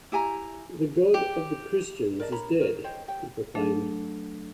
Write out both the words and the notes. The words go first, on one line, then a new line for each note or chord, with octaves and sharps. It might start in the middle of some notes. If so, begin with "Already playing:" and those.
"The God of the Christians is dead," he proclaimed.
E4 G4 G#5 A#5
G4
A#4 D5 D#5 A5
A#4 C#5 A#5 B5
A#4 C#5
C5 C#5 D#5 G5
G4 C#5 G5
F#3 A3 D4 A4